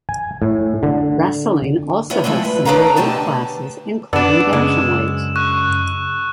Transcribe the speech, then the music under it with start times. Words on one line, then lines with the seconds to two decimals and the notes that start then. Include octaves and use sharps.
Wrestling also has similar weight classes including bantamweight.
0.09 G#5
0.42 A2
0.83 D3
2.10 D2 F3 B3 C#4
2.24 F3 G#3 A3 C4 D4
2.45 B4
2.65 D4 G#4 B4 C#5 F5 A#5
2.96 B2 D3 A3 G4 A5
4.13 F#2 B3 D4 D5 F#5 A5 E6 E7
4.53 C#3 G#3
5.36 C#6 F#6